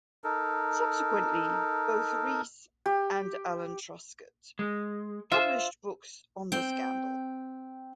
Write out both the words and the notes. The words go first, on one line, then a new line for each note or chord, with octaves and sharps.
Subsequently, both Reese and Alan Truscott published books on the scandal.
D#4 A4 A#4
G4
G#3
F4 C5 E5
C4 G5